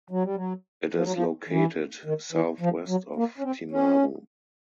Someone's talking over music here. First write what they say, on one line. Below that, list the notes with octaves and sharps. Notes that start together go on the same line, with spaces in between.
It is located southwest of Timaru.
F#3
G3
F#3
F3
F#3
F3
E3
D#3
E3
F3
F#3
A#3
C#4
C4
C#4